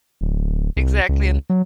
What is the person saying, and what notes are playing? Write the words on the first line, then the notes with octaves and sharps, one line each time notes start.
Exactly, and
D1
C2
C#2
F#3